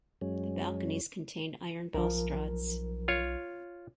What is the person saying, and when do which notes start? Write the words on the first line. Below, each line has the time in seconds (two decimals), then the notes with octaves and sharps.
The balconies contained iron balustrades.
0.21 F#2 F#3 G#3 C#4
1.94 B1 F3 A#4
3.08 F4 C#5